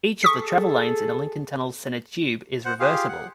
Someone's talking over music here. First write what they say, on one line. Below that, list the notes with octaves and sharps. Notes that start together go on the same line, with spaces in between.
Each of the travel lanes in the Lincoln Tunnel's center tube is reversible.
G#4 A4 C#6 D#6 B6
C5 F#5
F4 G4 G#4 F5
F#5